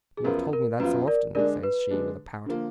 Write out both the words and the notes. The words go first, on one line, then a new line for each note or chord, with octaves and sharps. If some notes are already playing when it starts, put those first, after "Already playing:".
"You have told me that so often," says she, with a pout.
G#4
F#2 F3 B3 F4 A#4
A#4
F#2 F3 B3 F4 B4
A#4 D5
D3 G#3 D4 A#4 D5
B4
D3 G#3 D4
D3 F3 A#3